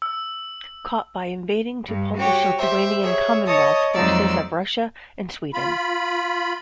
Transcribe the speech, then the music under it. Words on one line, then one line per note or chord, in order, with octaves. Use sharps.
Caught by invading to Polish-Lithuanian Commonwealth forces of Russia and Sweden.
E6
G2
F#4 G4 C#5
G4 C5 E5
G#4 C#5 E5
C#5 D#5 A5 D#6
F2 F#3 G#3 D#4 D5 E6
F4 B5